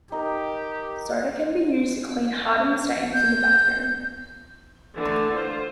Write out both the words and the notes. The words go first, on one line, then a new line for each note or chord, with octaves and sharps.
Soda can be used to clean hardened stains in the bathroom.
D#4 G4 A#4
G6
D3 E3 A3
F4 C5